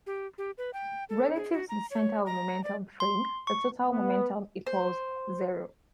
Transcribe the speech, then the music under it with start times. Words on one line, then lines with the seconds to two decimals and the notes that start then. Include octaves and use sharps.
Relative to the center of momentum frame the total momentum equals zero.
0.07 G4
0.38 G4
0.58 B4
0.73 G5
1.09 A4
1.35 G#4
1.52 F#4
1.69 A#5
1.91 C#5
2.26 A#5
2.64 D5
3.00 C6
3.47 C#6
3.92 B3
4.67 C5